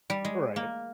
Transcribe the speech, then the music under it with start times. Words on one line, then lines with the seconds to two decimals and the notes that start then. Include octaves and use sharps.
All right.
0.10 G3
0.25 G#3
0.56 A#3